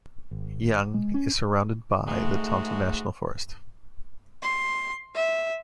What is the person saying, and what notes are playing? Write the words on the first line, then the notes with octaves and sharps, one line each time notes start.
Young is surrounded by the Tonto National Forest.
G#1
G#3
C#4
G#2 G#3 A3 F#4
C6
E5